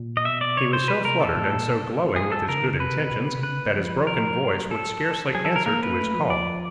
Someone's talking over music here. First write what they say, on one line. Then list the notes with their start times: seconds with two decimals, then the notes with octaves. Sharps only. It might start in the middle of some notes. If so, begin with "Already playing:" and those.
He was so fluttered and so glowing with his good intentions, that his broken voice would scarcely answer to his call.
Already playing: A#2
0.17 D#5
0.25 B2 E5
0.41 D5
0.57 C3 C#5
0.73 C5
0.88 B2 B4
1.05 C3 A#4
1.20 B2 A4
1.36 A2
1.52 A#2
1.68 B2
2.16 G#4
2.32 A4
2.48 C#3 A#4
2.59 D3
2.69 C#3
2.80 C3 B4
2.96 B2
3.12 B2
3.28 C3
3.43 C#3 B4
3.76 F3
4.07 A#4
4.39 F#3
4.71 A4
5.35 F#3 G#4
5.45 A4
5.56 A#4
5.66 A#3 A#4
5.83 B4
5.99 A3
6.14 F3
6.30 D5